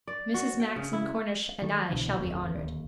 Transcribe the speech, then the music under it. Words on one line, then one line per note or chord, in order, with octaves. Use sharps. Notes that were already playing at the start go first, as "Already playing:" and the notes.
Mrs. Max and Cornish and I shall be honored.'
D5
F#4
G5
C#3
E4
D#3 A3
C2 B2 D3 E3
D1 G1 F2 A3
D1 D#2